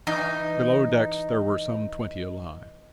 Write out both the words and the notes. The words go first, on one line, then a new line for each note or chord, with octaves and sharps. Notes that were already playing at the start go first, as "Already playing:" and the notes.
Below decks there were some twenty alive.
E3 D#4